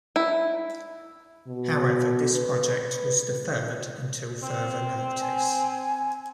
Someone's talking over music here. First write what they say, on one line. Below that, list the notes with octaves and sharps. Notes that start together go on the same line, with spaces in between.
However this project was deferred until further notice.
E4
B2
B4
C4
G#5